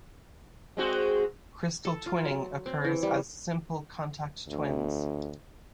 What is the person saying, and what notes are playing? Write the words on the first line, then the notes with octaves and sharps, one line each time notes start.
Crystal twinning occurs as simple contact twins.
G#3 C4 F#4
A4
F4
F#3
C4
E3
G3
D2